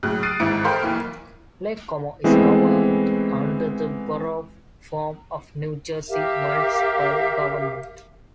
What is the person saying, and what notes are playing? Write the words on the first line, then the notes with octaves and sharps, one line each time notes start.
Lake Como is governed under the Borough form of New Jersey municipal government.
A2 C#3 F#3 F#6
D#6 A6 C7 D7 D#7
G#1 G#2 E3 E4 C#7 D7
A4 A#4 C5 F5 G5 B5
B1 E3 A#3
E3 G#3 A3 B3 C4 E4
G4 A#4 E5 F5